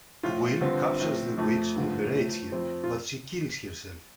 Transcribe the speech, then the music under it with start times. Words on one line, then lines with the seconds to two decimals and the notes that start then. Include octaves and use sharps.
Will captures the witch and berates her but she kills herself.
0.23 A2 F3 F4
0.61 G2 D3 F3 C4
1.00 A2 F3
1.38 F2 F3 A3
1.76 G2 D3 F3
2.15 A2 F3
2.52 F2 F3 C4
2.84 F4